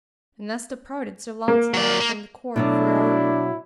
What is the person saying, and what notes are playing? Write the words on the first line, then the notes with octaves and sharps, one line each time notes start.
And thus departed Sir Launcelot from the court for ever.
A#3
F#3 D5
A#3
B2 F#3 A3 D4 E4 A5